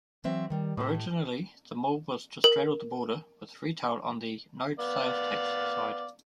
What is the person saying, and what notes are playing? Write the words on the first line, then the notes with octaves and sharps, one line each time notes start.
Originally, the mall was to straddle the border, with retail on the no-sales-tax side.
E3 F#3 C4 E5
D#3 G3
A2 A3
A#4
B3 D5 F5